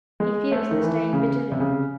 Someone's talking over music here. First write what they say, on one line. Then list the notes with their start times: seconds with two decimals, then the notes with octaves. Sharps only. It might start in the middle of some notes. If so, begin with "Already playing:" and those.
He feels the stain bitterly.
0.20 G#3
0.51 A3
0.71 D#3
0.82 E3
1.13 C#3
1.52 C3
1.60 C#3